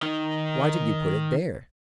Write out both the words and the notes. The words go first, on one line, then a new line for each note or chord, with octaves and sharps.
Why did you put it there?
D#3 D#4